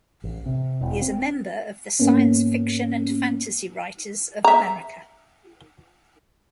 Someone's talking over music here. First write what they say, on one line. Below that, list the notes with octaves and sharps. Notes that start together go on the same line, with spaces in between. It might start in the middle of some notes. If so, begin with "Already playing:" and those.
He is a member of the Science Fiction and Fantasy Writers of America.
A1
C3
E1
C4
G#2 A#3 B3 C#4
E5 A#5